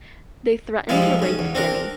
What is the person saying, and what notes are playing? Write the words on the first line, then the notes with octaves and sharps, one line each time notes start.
They threaten to rape Jenny.
F3 G3 G#3 E4 F4
B1 C#4
E2
C4 D4 A#4